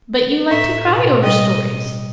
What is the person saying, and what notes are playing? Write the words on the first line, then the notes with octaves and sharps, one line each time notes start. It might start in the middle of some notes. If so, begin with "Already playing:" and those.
"But you like to cry over stories?"
A2 E5
B2
G3 D#5